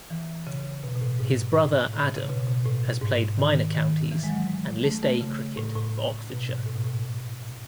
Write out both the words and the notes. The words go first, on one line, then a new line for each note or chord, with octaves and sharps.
His brother, Adam, has played Minor counties and List A cricket for Oxfordshire.
E3
C#3
B2
B2
A2
G#2
A2
A2
C#3
C#3
B2
B2
A2
G#2
D#3
D#3
E3
G#3
F#3
G#3
A3
A3
C#3
A2
A2
B2
G#2
A2
B2
A2